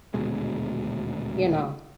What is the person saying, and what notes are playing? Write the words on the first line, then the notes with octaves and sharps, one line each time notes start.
you know,
D#1 D2 B2 G#3